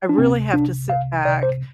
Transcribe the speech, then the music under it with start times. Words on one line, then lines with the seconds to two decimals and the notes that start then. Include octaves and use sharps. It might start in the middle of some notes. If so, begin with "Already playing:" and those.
I really have to sit back,
0.09 D4
0.18 D2 C3 C4
0.54 C2 C3 D4
0.89 C2 C3 F5
1.25 C2 C3 D5
1.43 C5